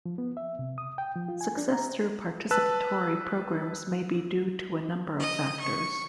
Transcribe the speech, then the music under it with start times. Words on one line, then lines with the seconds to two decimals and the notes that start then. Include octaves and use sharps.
Success through participatory programs may be due to a number of factors.
0.06 F3
0.18 B3
0.37 E5
0.59 C3
0.78 D#6
0.98 G5
1.16 F3
1.28 F4
1.41 G#5
1.58 D4
1.72 A#5
2.51 B4 A5 E6 F#6
5.20 D#5
5.60 C#6